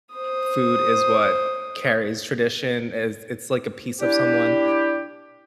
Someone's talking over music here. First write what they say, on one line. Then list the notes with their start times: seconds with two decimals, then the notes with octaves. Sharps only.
food is what carries tradition, as it's like a piece of someone,
0.14 C5 D#6
4.01 D4 E4 G4